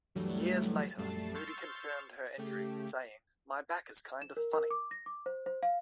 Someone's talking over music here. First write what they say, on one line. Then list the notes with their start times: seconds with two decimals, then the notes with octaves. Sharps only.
Years later, Moody confirmed her injury, saying, My back is kind of funny.
0.15 D2 G2 E3 F#3 G3 A3
0.97 A#1 F#2 G3 A3 A5 C7
1.35 C6 C#6 E6 F6 G6 A6
2.38 C#3 A3 G4
4.22 E7
4.37 A#4
4.53 A#4
4.71 D6
4.91 A#6
5.06 D6
5.26 C5
5.46 C5
5.63 F5